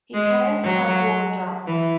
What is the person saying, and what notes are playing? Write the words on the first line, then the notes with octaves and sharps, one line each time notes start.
He came to my door, drunk.
G#3
F#3
E3